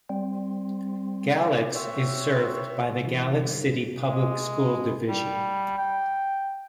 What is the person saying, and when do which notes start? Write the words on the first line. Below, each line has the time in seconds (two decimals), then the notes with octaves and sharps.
Galax is served by the Galax City Public School Division.
0.09 G3 C4
1.75 C4 F#4 C#5 E5
3.05 E3
3.39 G1
4.03 G#3
5.09 G3
5.78 G5